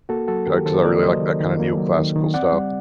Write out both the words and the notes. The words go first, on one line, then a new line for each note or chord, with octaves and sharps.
Yeah, 'cause I really like that kind of neoclassical style.
A#3 F#4 A4
F#3 F#4 A4
D#3 G4 A#4
D#3 A4 C5
A#3 A#4 D5
F#3 C5 D#5
D#3
D#3
A#3
F#3
D#3
D#3
C4 D5 F#5
G3